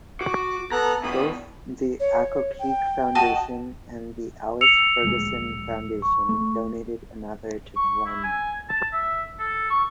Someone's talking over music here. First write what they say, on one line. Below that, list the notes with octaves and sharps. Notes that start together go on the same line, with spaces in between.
Both the Accokeek Foundation and the Alice Ferguson Foundation donated another to the landmark.
F#4 D6
B3 A4 A#5 F#6
B2 E3 B5 D#6
C#5
G5
F#4 D#5 A5
E6 C#7 F7
D1 A#1 G#3
C#6
A3
C#6
E4
G#5
A5
E5
A4
C#6